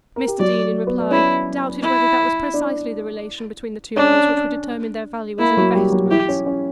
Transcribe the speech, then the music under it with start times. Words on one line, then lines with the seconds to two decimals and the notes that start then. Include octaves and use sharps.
Mr. Deane, in reply, doubted whether that was precisely the relation between the two mills which would determine their value as investments.
0.16 A#4
0.27 G4
0.39 F#3 F#4 D5
0.87 B3 B4
0.99 D5
1.10 C#4 E4 C#5
1.82 E4
2.54 D4 D5
3.96 C#4 D4 C#5
5.39 A#3 E4 A#4
5.57 F#3 F#4
5.74 G3 G4
5.92 F#3 F#4
6.06 F#4
6.11 E3 E4 G4
6.29 C#4 C#5
6.46 C#4 C#5